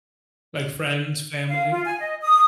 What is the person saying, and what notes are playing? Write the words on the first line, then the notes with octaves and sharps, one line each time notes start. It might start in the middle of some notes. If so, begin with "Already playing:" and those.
Like, friends, family?
F5
F4
G#5
D#5
D#6